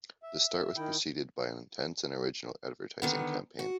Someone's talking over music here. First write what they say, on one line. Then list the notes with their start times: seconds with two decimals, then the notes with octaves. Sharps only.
The start was preceded by an intense and original advertising campaign.
0.23 E5
0.77 D#3 E4 G5
3.02 D3 D#3 B3
3.59 F#4